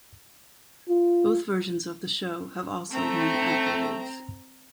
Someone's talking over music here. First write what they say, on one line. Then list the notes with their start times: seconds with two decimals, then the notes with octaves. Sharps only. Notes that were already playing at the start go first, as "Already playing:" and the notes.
Both versions of the show have also won accolades.
0.89 F4
2.91 A3 C4 A#5